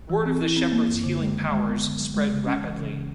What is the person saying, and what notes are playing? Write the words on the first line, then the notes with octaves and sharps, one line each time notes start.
Word of the shepherd's healing powers spread rapidly.
E3
C4
E4
C4
A#3
F#2
D3
G#3
D#3
G#3
B3
D3
F#3
G#3
C#3
C#4
E3
C#3
C#3